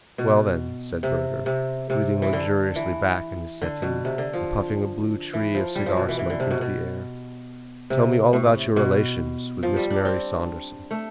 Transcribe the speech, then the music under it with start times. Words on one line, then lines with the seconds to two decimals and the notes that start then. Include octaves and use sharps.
"Well, then," said Burger, leaning luxuriously back in his settee, and puffing a blue tree of cigar-smoke into the air, "tell me all about your relations with Miss Mary Saunderson."
0.18 B2
1.03 C3
1.46 C3
1.90 C3
2.22 E3
2.33 D3
2.76 E3
3.62 D3
3.82 B2
4.05 C3
4.18 D3
4.33 F3
5.33 E3
5.55 F3
5.75 G3
5.86 F3
5.97 B2
6.09 E3
6.19 E3
6.30 D3
6.40 C3
6.50 B2
6.61 B2
7.90 C3
8.33 A2
8.76 B2
9.63 F3
9.77 G3
9.90 D4
10.05 C4
10.91 A3